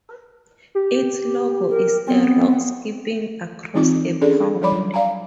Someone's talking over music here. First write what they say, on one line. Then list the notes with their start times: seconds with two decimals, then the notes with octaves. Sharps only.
Its logo is a rock skipping across a pond.
0.75 G4
1.70 A#4
2.07 B3 C4
3.74 E3 C4 D#4 F4 D6
4.21 C#4 D4 G#4 A4 D5
4.61 F#3 G3 C#5 D5 B5 D6
4.94 D5 F5 G#5 A#5